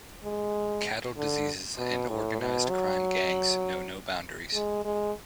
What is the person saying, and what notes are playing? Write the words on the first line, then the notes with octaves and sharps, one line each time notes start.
Cattle diseases and organised-crime gangs know no boundaries.
G#3
D3
B2
A2
B2
F#3
G#3
G#3